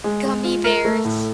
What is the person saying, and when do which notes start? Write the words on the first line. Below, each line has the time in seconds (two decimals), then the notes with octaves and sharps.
Gummy bears,
0.04 G#3
0.25 G#3
0.44 F4
0.64 A#4
0.85 A3
1.05 A2